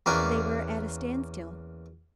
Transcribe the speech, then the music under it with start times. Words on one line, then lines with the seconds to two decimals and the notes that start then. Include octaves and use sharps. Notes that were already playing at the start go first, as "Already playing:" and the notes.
They were at a standstill.
0.06 E2 A#3 C#4 D4